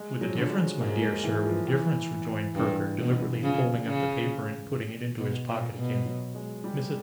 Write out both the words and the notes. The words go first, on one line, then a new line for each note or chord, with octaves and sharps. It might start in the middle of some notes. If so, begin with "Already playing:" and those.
'With a difference, my dear Sir; with a difference,' rejoined Perker, deliberately folding up the paper and putting it into his pocket again. 'Mrs.
Already playing: G#3
F#3
F3
D3 F#3
G#3
G#2 A#3
A#3
E3
F3
E3
G2
B2
C#3 F3
C#3
B2
A#2
B2
F#3
G#3
G3